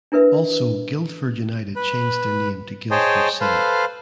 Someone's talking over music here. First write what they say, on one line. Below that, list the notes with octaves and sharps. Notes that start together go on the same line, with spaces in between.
Also Guildford United changed their name to Guildford City.
D4 E4 A#4 B4 E5
B4
G#4 C5 C#5 D#5 G5 A5
A4 B4 C5 F5